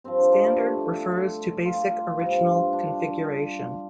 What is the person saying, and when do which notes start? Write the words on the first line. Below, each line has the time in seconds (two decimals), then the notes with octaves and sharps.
Standard refers to basic original configuration.
0.04 G2 F3 C4
0.18 D4
0.32 D4
0.45 G3
0.58 A3
1.12 A4
1.65 F4
2.19 G2 F3
2.73 D4